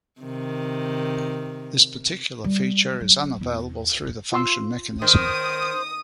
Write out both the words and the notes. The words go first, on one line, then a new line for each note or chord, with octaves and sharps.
This particular feature is unavailable through the function mechanism.
C3 D#3
G3
F#3
E2
F4 C6 E6
D#3 C5 D#6